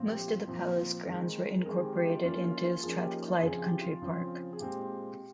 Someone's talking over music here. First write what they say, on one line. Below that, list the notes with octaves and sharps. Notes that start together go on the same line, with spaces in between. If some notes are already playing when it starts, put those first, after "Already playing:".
Most of the palace grounds were incorporated into Strathclyde Country Park.
Already playing: A#2 F3 C4
G4
F4
A#2 F3 C4
D#3 G#3 C4
A#4
D#3 G#3 C4 G#4
G4
G4
D#4
F4
F3 A#3 C#4 F4
F4
F4
F3 A#3 C#4 G#4
G4
D#4
F4
C#3 F3 C4 G#4
G4
F4
C#3 F3 C4
G#4
A#2 G#3 C4 G4